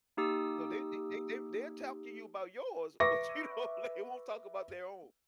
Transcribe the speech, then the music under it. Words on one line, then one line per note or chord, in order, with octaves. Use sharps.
No, they they they they've they'll talk to you about yours, but you don't they won't talk about their own.
A#3 D#4 G4 D#6 E6
B4 E5 C#6 D6 A#6